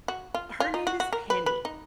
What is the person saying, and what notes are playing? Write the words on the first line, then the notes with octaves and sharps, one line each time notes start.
Her name is Penny.
F#4
F4
F4
D#4
F#4
F#4
A#4
B4
B4
D#4